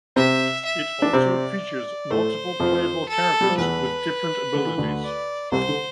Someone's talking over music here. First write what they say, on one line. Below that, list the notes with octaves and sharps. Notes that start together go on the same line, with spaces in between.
It also features multiple playable characters with different abilities.
C3 C4 E5
E5
D4
C3 C4 D5
A2 A3 C5
F2 F3
A4
G3
F3
E2 E3 B4
D3
E3
D2 D3
D5
C2 C3 C5
D3